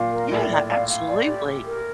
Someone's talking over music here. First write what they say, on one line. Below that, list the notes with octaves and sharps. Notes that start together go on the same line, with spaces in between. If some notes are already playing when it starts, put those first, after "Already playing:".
Yeah, absolutely.
Already playing: A#2 F5
A#4
A2 D5
D5
F5
F5
D5
G4
G4
A#4